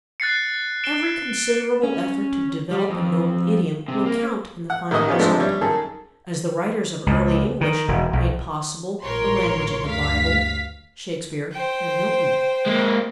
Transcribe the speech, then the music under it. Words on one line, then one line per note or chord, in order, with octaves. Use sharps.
Every considerable effort to develop a noble idiom will count in the final result, as the writers of early English made possible the language of the Bible, Shakespeare, and Milton.
F#6 A6 C7 C#7
D7 E7 G7
C#4
G3
F2
C3
A#3
F#5
A1 D#3 A#3 D#5 C#6 D#6
B3 C#4 F4 G4
F3 G#3 A3 C4 D4 D#4
G3 C#5 E5
F#2 D#3 G#4 A4
C#2
D#3
E1
B1
A1 A#2 F#3 A#4 C#5 C6
D2 G2 F5 B6
C5 G5
G#3 A#3